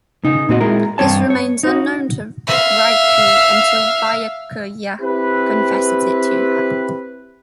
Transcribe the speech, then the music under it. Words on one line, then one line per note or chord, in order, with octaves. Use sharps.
This remains unknown to Rukia until Byakuya confesses it to her.
C#3 D#4
A#2 C4 F#4 D#5
G#3 E4 A#4
G2 F3 C4 C#5 A5
C#5
D#4 F#4
E5 F5
C4 E4 G4 B4